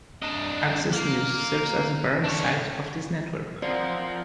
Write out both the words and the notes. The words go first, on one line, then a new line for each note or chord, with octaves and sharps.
Axcess News serves as the parent site of this network.
D4 D#5
A#3
D4 C#5
C4 F4 A#4 C5 D5 F#5